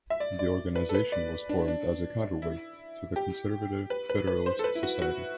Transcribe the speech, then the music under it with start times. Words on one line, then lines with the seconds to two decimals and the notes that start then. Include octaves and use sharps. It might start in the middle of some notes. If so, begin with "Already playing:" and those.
The organization was formed as a counterweight to the conservative Federalist Society.
0.10 E5
0.20 D5
0.39 D5
0.76 B4
0.89 A4
0.94 B4
1.12 D5
1.49 D4
1.68 D4
2.42 E4
3.16 G4
3.90 B4
4.09 B4
4.27 B4
4.46 C5
4.59 A4
4.64 B4
4.75 E4
4.83 F#4
5.02 F#4